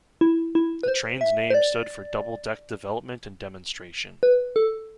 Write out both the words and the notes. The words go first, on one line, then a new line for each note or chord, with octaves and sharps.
The train's name stood for Double Deck Development and Demonstration.
E4
E4
B4
C5
E5
C5
D5
B4
A4